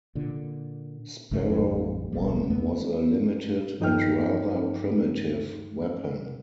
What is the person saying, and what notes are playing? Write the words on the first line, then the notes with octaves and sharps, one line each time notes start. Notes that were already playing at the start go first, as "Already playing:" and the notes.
Sparrow One was a limited and rather primitive weapon.
A#2 D3
G#1 G#2 C#3 A3
A1 F2 F#3 G3
D#1 B1 B2 G3
F2 A3 B3
G2 F3 D#4 A4 G5 F6